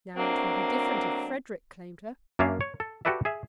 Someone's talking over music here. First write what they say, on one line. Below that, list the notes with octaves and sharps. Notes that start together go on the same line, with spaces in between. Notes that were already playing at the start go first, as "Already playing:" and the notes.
Now it would be different if Frederick claimed her.'
F#3 A3 A#3 C4 D4
F#2 A#3 C#4 D4 E5 F5
C#5
A4
F#4 G4 A4 B4 D5 E5
G#4 E5